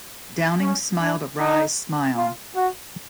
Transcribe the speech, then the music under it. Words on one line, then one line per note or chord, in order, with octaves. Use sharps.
Downing smiled a wry smile.
C#4
D4
D#4
F4
F#4